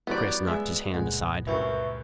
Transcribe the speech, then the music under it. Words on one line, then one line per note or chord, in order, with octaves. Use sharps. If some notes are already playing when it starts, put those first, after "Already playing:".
Chris knocked his hand aside.
E2 F#3 G3 B3 D5
G#3 E5
C#2 A#2 G#3 F#5
C2 F#2 B4 E5 C#6